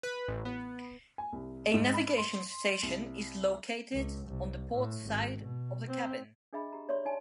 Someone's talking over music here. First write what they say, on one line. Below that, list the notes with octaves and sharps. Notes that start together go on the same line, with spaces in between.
A navigation station is located on the port side of the cabin.
B4
A1
B3
G#5
C2
G#2
B5
C6
C2
C#2
C2
A2
G#1
B2
C4
D4 G#4 D#5 E5 B5
G4 A#5
C#5 D5 E5 C6 C#6
D#4 G#5 A5